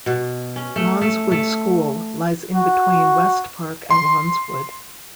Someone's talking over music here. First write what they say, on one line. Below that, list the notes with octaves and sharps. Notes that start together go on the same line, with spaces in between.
Lawnswood School lies in between West Park and Lawnswood.
B2
C#4
A3
A3
A3
F#4
C6